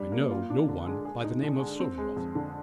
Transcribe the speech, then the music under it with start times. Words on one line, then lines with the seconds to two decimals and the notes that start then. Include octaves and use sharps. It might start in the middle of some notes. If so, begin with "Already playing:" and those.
I know no one by the name of Souvaroff.
Already playing: G3 D4
0.12 A#3
0.31 F4
0.50 D4
0.68 D3
0.86 G#3
1.05 G#4
1.24 D#4
1.43 D3
1.60 G#3
1.80 C4
1.98 G#3
2.16 F2
2.35 D3